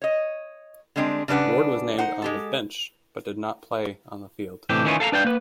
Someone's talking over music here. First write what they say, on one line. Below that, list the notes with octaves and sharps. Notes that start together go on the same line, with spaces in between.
Ward was named on the bench, but did not play on the field.
C#5 D#5
D3 G3 G#3 C4 D4
C#3 G3 D4 B4 F#5
D#4 C5 F#5
G#3 G4 A4
A2 C3 E3 D4 G4
D#3 E3 C#4 D#4 F4
A4 F5 A5 A#5
D4 B4 D5 F5 G5
A#3 B4